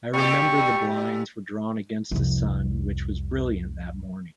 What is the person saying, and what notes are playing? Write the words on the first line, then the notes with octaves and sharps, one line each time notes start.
I remember the blinds were drawn against the sun which was brilliant that morning.
A#2 G4 C#6
C2 F2